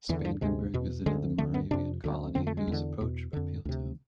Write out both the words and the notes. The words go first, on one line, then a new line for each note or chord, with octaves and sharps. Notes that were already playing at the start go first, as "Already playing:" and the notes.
Spangenberg visited the Moravian colony, whose approach appealed to him.
E2 D3 E3
F3
D2 C3 G#3
E2 B2
D2 D3 G#3
D2 D3 A3
B3
F2 C3 D4
D2 D3
F2 D3 C4
A3
G#3
E2 D3
E2 B2
F2 D3
D2 C3